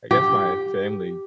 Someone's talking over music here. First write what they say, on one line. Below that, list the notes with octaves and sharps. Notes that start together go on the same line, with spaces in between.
a I guess my family
G4